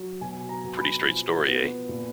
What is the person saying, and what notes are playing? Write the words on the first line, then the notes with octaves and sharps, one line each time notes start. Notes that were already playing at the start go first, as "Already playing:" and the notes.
Pretty straight story, eh?
Already playing: F#3
B2 G#5
A#5
B2
B5
F3
B3
A#2